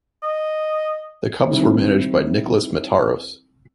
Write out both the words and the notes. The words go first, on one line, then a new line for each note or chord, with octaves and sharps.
The Cubs were managed by Nicholas Mitaros.
D#5
D#3 G3 C4 E4